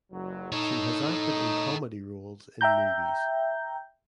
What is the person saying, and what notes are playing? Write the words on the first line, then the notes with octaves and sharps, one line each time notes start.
She has acted in comedy roles in movies.
F#1 C#2 F#3
D#4 A4 C#5
E5 G5 A#5 G6